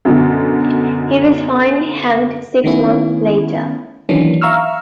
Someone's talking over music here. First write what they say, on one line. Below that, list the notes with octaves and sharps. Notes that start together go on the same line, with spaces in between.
He was finally hanged six months later.
F#2 B2 D3
D#3 A3 B3 C#4 E4
D#3 E3 F#3 A#3 C#4 D4
E5 F5 A#5 C#6 E6 F6